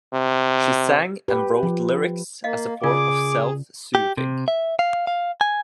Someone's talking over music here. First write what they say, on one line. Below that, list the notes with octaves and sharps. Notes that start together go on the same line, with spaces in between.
She sang and wrote lyrics as a form of self-soothing.
C3
G4 B4
F3
A#3 D#5 F5
C#3 F4 G#4 A#4 D5 D6
G4
C3
E5
F5
F5
G#5